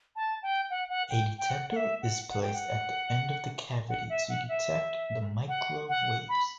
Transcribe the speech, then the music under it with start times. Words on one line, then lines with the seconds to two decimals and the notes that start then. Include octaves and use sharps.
A detector is placed at the end of the cavity to detect the microwaves.
0.16 A5
0.43 G5
0.70 F#5
0.89 F#5
1.10 G5
1.39 G5
1.49 F#5
1.70 F#5
1.76 E5
2.02 F#5
2.29 F#5
2.42 G5
2.55 F#5
3.89 F#5
4.09 E5
4.29 F#5
4.48 E5
5.48 F#5
5.89 F#5
6.29 B5